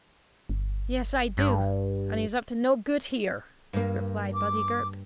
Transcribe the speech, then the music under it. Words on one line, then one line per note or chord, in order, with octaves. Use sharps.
"Yes, I do, and he's up to no good here," replied Buddy Girk.
G1
G2
G2 A#3
D6